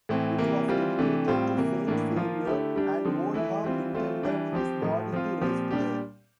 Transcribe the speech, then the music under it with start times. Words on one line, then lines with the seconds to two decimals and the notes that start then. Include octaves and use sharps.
It was dedicated to Saint Saviour, and Oldham intended his body to rest there.
0.09 A2 E3 A3 C4
0.38 C3 E3 A#3
0.68 E3 G3 C4 F4
0.98 C3 E3 A3 D4 G4
1.28 A2 G3 C4 F4
1.57 C3 E3 A#3
1.87 A2 E3 A#3 D4
2.16 F3 A#3 F4
2.45 D3 A3 E4 G4
2.76 G3 D4 G4
3.05 D3 F3 C4
3.34 E3 A3 E4
3.64 E3 G3 C4 F4
3.93 E3 A3 C4 F4
4.23 E3 G3 D4
4.53 F3 C4 G4
4.82 A2 F3 A3
5.12 F3 C4 F4
5.41 A#2 F3 C4 G4
5.71 A#2 G3 D4 G4